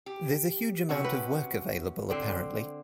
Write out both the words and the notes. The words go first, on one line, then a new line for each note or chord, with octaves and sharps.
There's a huge amount of work available, apparently.
G4
C3 C#4 F#4
B4
D3 C4